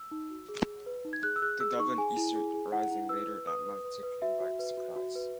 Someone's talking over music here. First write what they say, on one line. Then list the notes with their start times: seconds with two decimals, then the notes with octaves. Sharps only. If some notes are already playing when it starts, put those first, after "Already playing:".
The Dublin Easter Rising later that month took him by surprise.
Already playing: E6
0.11 D#4
0.30 F#4
0.49 G#4
0.67 G#4
0.86 B4
1.05 D#4
1.13 G#6
1.23 G#4 F#6
1.36 E6
1.42 G#4 F#6
1.60 G#4 E6
1.79 D#4 C#6
1.98 G#4 G#5
2.17 E4
2.36 G#4
2.54 G#4
2.72 E4 F#5
2.91 E4
3.09 B4 E6
3.28 B4
3.47 B4 D#6
3.66 B4
3.84 B4
4.03 B4
4.22 F#4 E5
4.40 F#4
4.59 B4
4.78 F#4
4.96 F#4
5.15 B4